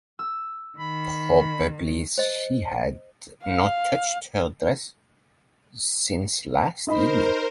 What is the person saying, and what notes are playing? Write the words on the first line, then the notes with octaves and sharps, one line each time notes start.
Probably she had not touched her dress since last evening.
E6
D#3 B5
C5 D#5
F5
D#4 A#4 C5 D#5 B5